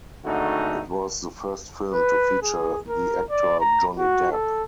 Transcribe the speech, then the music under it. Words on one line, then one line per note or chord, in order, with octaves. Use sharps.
It was the first film to feature the actor Johnny Depp.
G#1 D3 A3 D#4 F#4
B4
G#4
A#4
D5
A#5
F#4
A4